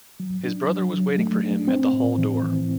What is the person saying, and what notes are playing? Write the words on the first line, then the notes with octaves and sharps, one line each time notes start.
His brother was waiting for him at the hall door.
F#3
D4
F#3
F#3
A3
D4
C4
A2
E3
E3